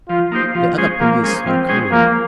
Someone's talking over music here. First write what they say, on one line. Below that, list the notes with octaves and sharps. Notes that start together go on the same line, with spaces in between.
The other police are coming.
F3 F4
A#3 D#4 G4 C5
F3 F4
G#3 C#4 G#4 C5
F3 A#3
G#3 C#4 G#4 C5
F3 C4
G#3 C#4 G#4 C5
F3 A#3